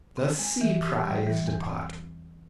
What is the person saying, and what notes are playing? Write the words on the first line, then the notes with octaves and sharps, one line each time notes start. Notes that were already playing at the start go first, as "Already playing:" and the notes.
"The Sea Prize Department."
C4
G#3
E3
G4
G3
E3
E2
C4